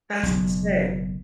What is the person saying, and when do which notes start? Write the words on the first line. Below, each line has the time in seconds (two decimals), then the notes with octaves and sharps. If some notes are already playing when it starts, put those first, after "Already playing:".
That's insane.
0.23 F#1 B1